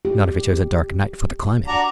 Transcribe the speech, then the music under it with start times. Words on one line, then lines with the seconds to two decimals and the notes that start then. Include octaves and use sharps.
"Not if he chose a dark night for the climbing."
0.05 G4
1.67 D4 F#4 A#5